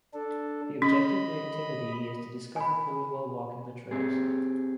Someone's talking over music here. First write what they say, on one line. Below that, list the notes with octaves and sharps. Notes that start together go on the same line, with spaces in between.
The objective of the activity is to discover clues while walking the trails.
D4 A4
C#4 D#5 B5
G#5 B5
C4 G4 G#4